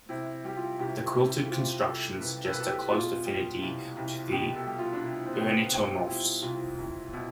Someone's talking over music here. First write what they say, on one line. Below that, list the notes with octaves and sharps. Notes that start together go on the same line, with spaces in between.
The quilted construction suggests a close affinity to the erniettomorphs.
C3 E4
G3 G4
F4
C2 G4
C2
E4
C3 F4
G3 A4
C2 B4
A4
B4
C2 A4
G4
B2 F4
G3
C2
C2
B2 G4
A4
G3
F4
D4
C2 E4
C4
B3
C2 C4
B3
B2 C4
G4
F4
G3 E4
C2 F4
C2
B2 E4